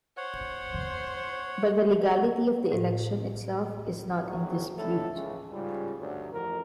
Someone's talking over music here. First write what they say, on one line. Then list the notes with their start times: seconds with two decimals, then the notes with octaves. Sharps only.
But the legality of the election itself is not in dispute.
0.17 C5 C#5 F#5
2.72 A2
4.19 G#1 F#3
4.77 A1 D#2 A2 D3 E4 A4
5.13 C#2
5.52 G#2 C#3 G3 F4
5.98 D2 G2 D3 F#3
6.31 A1 F2 A#4